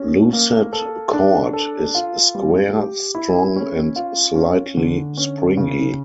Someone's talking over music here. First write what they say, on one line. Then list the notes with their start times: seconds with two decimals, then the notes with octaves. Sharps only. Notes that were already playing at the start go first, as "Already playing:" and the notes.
Lucet cord is square, strong, and slightly springy.
Already playing: C#4
0.33 A#3
0.73 A4
1.13 D4
1.53 A4
1.95 F4
2.35 G3
2.75 G4
3.15 E4
3.56 C#4
3.96 F4
4.36 C#4
4.77 D3
5.17 C#4
5.57 C#3